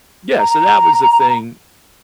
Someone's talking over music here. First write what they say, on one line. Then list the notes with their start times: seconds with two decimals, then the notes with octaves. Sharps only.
yeah, so that was the thing
0.40 A#5